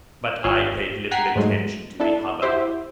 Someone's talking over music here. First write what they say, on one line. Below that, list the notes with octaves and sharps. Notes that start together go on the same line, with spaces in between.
But I paid little attention to the hubbub.
G#1 F4 C#5
F#5 G5 A#5 G#6 B6 C7
G#2 F#3 G#3 A3
D4 E4 A4
E4 F#4 G4 C5 E5